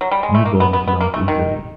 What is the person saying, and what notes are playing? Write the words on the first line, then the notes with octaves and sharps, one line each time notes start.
Newborns laugh easily.
F#3
G3
G#3
A3
A#3
B3
B3
B3
A#3
A3
D#3